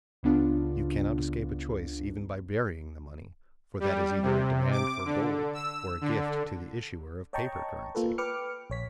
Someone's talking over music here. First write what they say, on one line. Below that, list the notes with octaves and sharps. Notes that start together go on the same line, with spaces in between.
You cannot escape a choice even by burying the money, for that is either a demand for gold or a gift to the issuer of paper currency.
C#2 C#3 B3 D4 F4
G3
C3
D6
D3
E6
D3
C#5 D#5 G5 A5 A#5 C#6
A#3 F4 A4 B4
B4 G5 D6 F6 C#7
A#1 C#5 B6